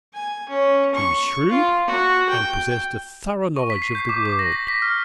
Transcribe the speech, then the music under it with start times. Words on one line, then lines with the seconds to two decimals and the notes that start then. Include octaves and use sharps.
He was shrewd, and possessed a thorough knowledge of the world.
0.13 G#5
0.49 C#4
0.94 C#6
1.50 F4
1.87 F#4
2.29 G5
3.56 C#6
3.70 B6
3.82 C7
3.95 G6
4.09 D6
4.25 D6
4.39 A#6
4.52 A#6
4.68 B6
4.82 F6